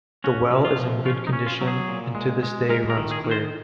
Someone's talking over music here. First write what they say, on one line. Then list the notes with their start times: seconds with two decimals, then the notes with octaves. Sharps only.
The well is in good condition and to this day runs clear.
0.24 C#4 F#4
0.51 C3
0.65 F4
0.79 F3
1.05 C#4 F4
1.27 D#4
1.33 C#4
1.46 F4
1.61 F#3
1.67 G#4
1.88 A#2
2.15 G#3
2.43 G#3
2.69 G#3 A#4
2.90 A#4
2.97 D#3
3.11 G#4
3.24 D#3
3.31 C5